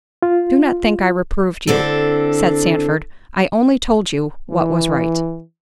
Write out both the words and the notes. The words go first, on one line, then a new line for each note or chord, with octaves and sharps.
"Do not think I reproved you," said Sandford; "I only told you what was right."
F4
D3 C4 E4 A4
E3